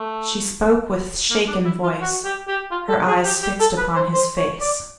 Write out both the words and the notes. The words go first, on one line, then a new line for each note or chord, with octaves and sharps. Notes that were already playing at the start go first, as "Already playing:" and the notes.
She spoke with shaken voice, her eyes fixed upon his face.
Already playing: A3
A#3
D4
E4
F4
F#4
G4
G4
F4
A4
G#4
G4
G4
A4
B4
C5
C5
C#5
D5